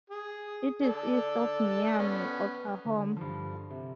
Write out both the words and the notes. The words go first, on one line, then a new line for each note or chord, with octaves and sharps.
It is east of Miami, Oklahoma.
G#4
A4 D5
B3 C#4
D3
G2 F3
C3